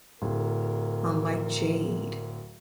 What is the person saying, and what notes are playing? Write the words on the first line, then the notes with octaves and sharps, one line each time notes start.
"Unlike Jade."
D1 A#4